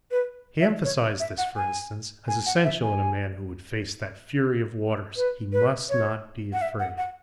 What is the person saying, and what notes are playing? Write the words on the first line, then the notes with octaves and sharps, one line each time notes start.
He emphasized this, for instance, as essential in a man who would face that fury of waters, he must not be afraid.
B4
E5
C#5
E5
F#5
G#5
G#5
F#5
E5
G#5
B4
B4
C#5
F#5
E5
F#5
F#5